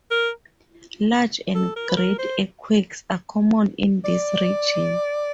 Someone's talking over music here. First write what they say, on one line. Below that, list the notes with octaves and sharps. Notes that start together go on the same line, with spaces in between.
Large and great earthquakes are common in this region.
A#4
A4
A#4
B4
A#4
C5
D5